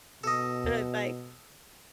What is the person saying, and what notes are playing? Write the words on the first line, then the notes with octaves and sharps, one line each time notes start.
Alright. Bye.
B2 A4 D#5